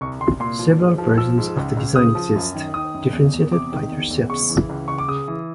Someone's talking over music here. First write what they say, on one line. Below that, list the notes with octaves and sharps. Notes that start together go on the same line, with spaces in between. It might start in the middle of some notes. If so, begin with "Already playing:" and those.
Several versions of the design exist, differentiated by their shapes.
C2 C#6
C2 C6
A#2 C6
F3
G#2
F3
F3 E6
G#2
C#2
C#2
C#3 D#6
F3
F#2
D#3
D#3 D#6
F#2
E2
E2
C3 D6
D#3
E2
E2
C#3 C#6
E3
C#2
C#2 C#6
D6
C#3 D#6
E3